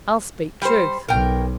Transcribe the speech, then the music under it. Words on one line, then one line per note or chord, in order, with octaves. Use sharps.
I'll speak truth.
G3 C5
B1 A#4 G5